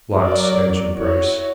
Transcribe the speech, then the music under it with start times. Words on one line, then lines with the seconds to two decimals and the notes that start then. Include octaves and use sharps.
"Lots!" answered Bryce.
0.19 F#3 A#4 D5
0.96 E4 F#4 C#5